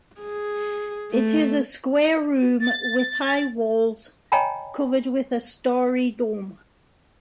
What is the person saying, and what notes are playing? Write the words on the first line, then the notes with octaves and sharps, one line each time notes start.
It is a square room, with high walls, covered with a starry dome.
G#4
A3
A6
C#5 D#5 G5 G#5 A#5 B5